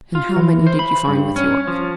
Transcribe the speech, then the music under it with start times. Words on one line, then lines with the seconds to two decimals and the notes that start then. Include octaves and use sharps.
"And how many did you find with Yorke?"
0.15 F4
0.36 E3
0.67 C5
0.79 B5
1.08 G2
1.36 C#4
1.67 F3